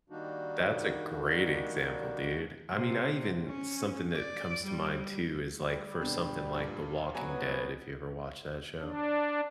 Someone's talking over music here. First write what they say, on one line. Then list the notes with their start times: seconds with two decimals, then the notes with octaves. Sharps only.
That's a great example, dude, I mean, I even something that comes to mind too is, like, for something like The Walking Dead, if you ever watch that show
0.10 D#3 G3 A#3 D4 D#4 F#4
2.72 C3
3.46 C#4
4.16 D5
4.65 G3
5.63 G3
6.02 B2 D3
6.55 G2 A#2
7.15 D2 F#3 B3 G#5 A#5 B5
8.81 D4